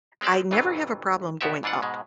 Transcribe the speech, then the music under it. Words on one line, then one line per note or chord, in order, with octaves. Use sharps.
I never have a problem going up.
G#3 C4 G4 D5 A5
G1 F2 A#2 E3 F#3 F4
E2 B2 B3 F#4 G4 E5
G#2 E3 D4 F4 F#5
G#2 B2 G#3